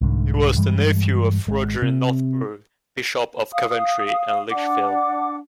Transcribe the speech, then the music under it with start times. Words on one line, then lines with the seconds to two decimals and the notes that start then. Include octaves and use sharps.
He was the nephew of Roger Northburgh, Bishop of Coventry and Lichfield.
0.01 C2 G#2 D3
0.58 G2 E3 G3 G#3
1.47 G#1 G#3
1.82 C3
3.53 F5 D#6
4.50 D4 F#5 D6